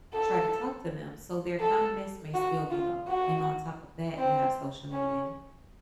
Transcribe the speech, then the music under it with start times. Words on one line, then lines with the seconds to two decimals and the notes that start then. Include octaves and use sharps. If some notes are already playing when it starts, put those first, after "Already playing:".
try to talk to them, so their confidence may still be low. And on top of that, you have social media
0.13 A4
1.60 A4
2.34 F#4
2.70 F4
3.08 F#4
4.18 C4
4.92 C#4